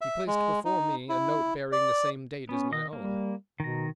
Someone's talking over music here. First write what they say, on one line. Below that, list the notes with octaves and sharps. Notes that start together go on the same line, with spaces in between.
He placed before me a note bearing the same date as my own.
E5
G#3
D#4
E4
D5
B3 C#4
D#3 D#5
G3 A#3
B2 D#3 A#5